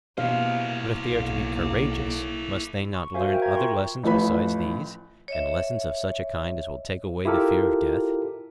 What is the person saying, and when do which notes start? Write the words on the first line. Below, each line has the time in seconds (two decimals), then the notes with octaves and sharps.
But if they are to be courageous, must they not learn other lessons besides these, and lessons of such a kind as will take away the fear of death?
0.18 B2 A#3 E4 C5 F5
1.08 B1 A#3
2.93 C6 C#6
3.14 F#4 A#4 C5 E5 F5 G#5
3.30 A#4 E5 G5
3.42 A#5 G#6
3.55 F4 C6 C#6
4.04 A1 A2 F3 B4 B5
5.28 C#5 D#5 E5
7.25 E4 F4 G4 A4 A#4